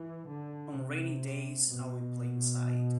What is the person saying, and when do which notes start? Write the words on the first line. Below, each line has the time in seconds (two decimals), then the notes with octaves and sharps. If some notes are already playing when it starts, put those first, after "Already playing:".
On rainy days I will play inside.
Already playing: E3
0.28 D3
0.75 C3
1.69 B2